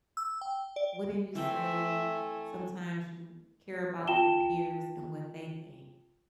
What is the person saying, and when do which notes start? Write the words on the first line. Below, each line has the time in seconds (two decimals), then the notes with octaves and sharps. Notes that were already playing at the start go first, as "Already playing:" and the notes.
wouldn't you say sometimes you care about your peers and what they think
0.17 E6
0.41 G5
0.76 D5
1.35 E3 A3 C4 E5 G5 G#5
4.07 F4 G5 A5 E7 G7